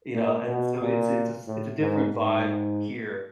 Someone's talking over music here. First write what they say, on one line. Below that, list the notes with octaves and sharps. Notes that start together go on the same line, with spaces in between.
you know? And so it's it's a it's a different vibe here,
A#2
B2
A#2
A2
G#2
G#2